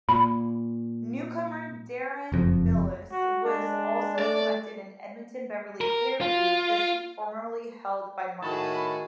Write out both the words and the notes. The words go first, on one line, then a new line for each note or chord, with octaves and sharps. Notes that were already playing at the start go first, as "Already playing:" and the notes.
Newcomer Deron Bilous was also elected in Edmonton-Beverly-Clareview, the seat formerly held by Martin.
A#2 B5
F#1 F2
F#4
G#3 D4
A3 D5
A#4
F4
A2 D#3 F#4 G#4 A5 B5